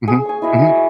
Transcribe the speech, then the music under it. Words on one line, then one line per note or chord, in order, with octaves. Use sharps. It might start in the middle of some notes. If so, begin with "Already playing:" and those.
Mhm, mhm.
G#4
G#5 C#6
E4 F#4 D#5 E5
C#6